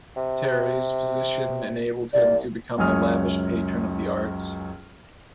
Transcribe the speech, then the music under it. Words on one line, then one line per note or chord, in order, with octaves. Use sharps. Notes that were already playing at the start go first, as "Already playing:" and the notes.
Terray's position enabled him to become a lavish patron of the arts.
C3
C2 D5
C#2 F#2 C#4 G#5 D#6 F6